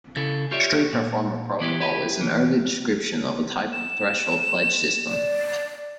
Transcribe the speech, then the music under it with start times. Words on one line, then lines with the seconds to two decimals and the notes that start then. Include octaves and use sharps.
Street Performer Protocol is an early description of a type of threshold pledge system.
0.16 C#3 E4 A4
0.51 F4 G4 C#5 D5 E5
0.93 A#2
1.60 E3 B3 E4 G4
1.81 E4 G4 B4
2.21 E3
3.72 E7
5.09 D5